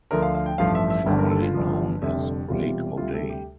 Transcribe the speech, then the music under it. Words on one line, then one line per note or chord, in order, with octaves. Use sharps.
Formerly known as Break O'Day.
D2 D3 F3 A#4
F5
F5
G5
A1 G2 F3 A3 F5
E5
E5
G1 G2 D3 D5
A#4
A4
F4
G1 G2 F3
F1 F2 D3 G3 E5
E1 E2 C3 G3 F4
D2 C3 G3 F4
A4
G4